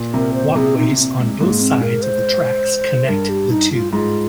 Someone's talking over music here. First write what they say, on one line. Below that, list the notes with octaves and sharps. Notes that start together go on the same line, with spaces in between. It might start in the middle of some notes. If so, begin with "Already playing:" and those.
Walkways on both sides of the tracks connect the two.
Already playing: A#2
C3 A#4
C5
C3 G#4
D#4
A#3
C4
G#3
G#2 A#3
C4
A#4
C5
G2 A#4
G4
D#4
F4
G#2 F4